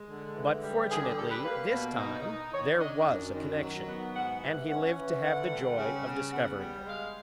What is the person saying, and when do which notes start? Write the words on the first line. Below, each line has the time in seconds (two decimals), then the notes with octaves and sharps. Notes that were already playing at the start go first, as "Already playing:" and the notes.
But fortunately this time there was a connection, and he lived to have the joy of discovering it.
Already playing: G#3
0.08 D3
0.35 E3
0.62 G3
0.89 D3 G#4
1.03 G4
1.16 G3 A4
1.29 B4
1.43 A#3 B4
1.71 B2
1.98 D#4
2.25 D#4
2.52 D#3 C#5
2.79 D4 D#5
3.06 F#2
3.34 D#3
3.60 F#3
3.87 B3
4.15 G#2 F#5
4.42 E3
4.69 C#4 F#5
4.97 E3
5.23 D3 F#5
5.50 G3
5.78 C#3
6.05 C#3
6.32 B3 F#5
6.59 G3
6.86 G#3 F5